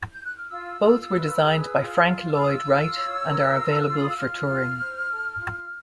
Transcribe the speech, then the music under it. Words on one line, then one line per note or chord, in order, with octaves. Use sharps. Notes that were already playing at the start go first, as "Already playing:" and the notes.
Both were designed by Frank Lloyd Wright and are available for touring.
G6
F#6
F6
F4 E6
F4
B4
G#4
F4
F4
F4 E6
D#6
E6
F4
C#5
A#4
F4
F4
D#6
E6
F4 F6
F4
C5
A4
F4